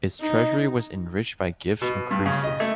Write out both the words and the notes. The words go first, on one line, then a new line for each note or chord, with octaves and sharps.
Its treasury was enriched by gifts from Croesus.
D#4
B2
G2
C#3
D#5
A3